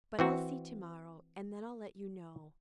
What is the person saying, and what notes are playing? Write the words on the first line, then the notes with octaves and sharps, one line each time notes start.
But I'll see to-morrow, and then I'll let you know.
E3 C4 F#4